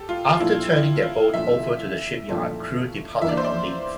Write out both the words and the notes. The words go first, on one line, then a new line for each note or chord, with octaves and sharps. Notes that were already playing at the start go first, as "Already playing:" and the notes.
After turning their boat over to the shipyard, crew departed on leave.
Already playing: G4 A4
F4
F4
A#2 F3 A3 D4 E4
E4
F4
A#2 F3 A3 D4 E5
A#2 F3 A3 D4
E3 A#3 D4 D5 E5
C5
D5